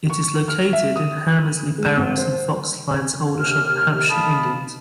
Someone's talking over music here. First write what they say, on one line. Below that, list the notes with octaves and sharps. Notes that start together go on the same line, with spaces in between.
It is located in Hammerseley Barracks and Fox Lines, Aldershot, Hampshire, England.
C#6
F6
E5
D#6
G#3
G#1
C5
D#2 C3 F6
D#4 A4 F5 A5 B5 D#6